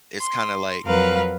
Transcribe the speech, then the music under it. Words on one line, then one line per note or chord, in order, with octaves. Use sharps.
it's kinda, like
C6
F2 F#3 A#4 B4 F5